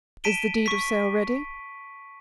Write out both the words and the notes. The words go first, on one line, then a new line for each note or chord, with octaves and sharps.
"Is the deed of sale ready?"
A5 B6 D7 D#7 G7
C#6 B6